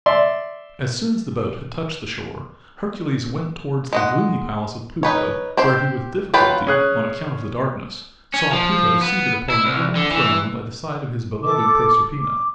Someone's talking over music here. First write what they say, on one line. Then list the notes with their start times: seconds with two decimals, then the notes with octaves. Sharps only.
As soon as the boat had touched the shore, Hercules went towards the gloomy palace of Pluto where he with difficulty, on account of the darkness, saw Pluto seated upon an ebony throne by the side of his beloved Proserpina.
0.06 D5 E5 C6
3.93 G#3 D#5 F#5
5.03 D#4 B4 C#5
5.57 C4 G4 C5
6.34 F#3 F4 B4 G5 B5
6.67 C#4 G#4 F#6
8.34 C#4
8.53 F3
9.02 B3
9.50 E4
9.65 C2
9.96 D3
10.11 E3
11.43 A4 D6
12.19 D6